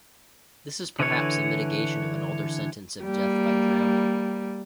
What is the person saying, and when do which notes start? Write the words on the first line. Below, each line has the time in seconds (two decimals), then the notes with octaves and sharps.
This is perhaps a mitigation of an older sentence of death by drowning.
1.00 D3 E3 C#5
3.05 G3 A#3